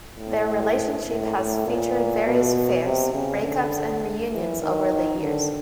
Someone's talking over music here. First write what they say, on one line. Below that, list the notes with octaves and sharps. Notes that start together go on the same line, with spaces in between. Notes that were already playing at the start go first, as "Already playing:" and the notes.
Their relationship has featured various affairs, break-ups and reunions over the years.
A2
A2
A2
A#2
B2
C3
C#3
D3
E3
D#3
D3